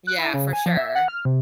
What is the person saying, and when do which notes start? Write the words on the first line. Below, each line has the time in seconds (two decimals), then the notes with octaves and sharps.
Yeah, for sure.
0.07 F#6
0.18 E4
0.34 C#3
0.53 G#5
0.66 F3
0.77 E5
0.95 F#5
1.08 F6
1.25 C3